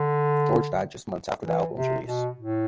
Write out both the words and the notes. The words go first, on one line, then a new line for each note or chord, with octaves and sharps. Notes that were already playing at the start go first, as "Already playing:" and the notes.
George died just months after the album's release.
Already playing: D3
E3
C3
B2
A2